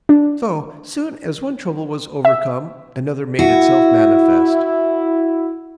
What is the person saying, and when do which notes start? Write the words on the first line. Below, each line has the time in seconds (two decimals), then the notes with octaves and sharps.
So soon as one trouble was overcome another made itself manifest.
0.09 D4
2.25 E5
3.39 E4 F#4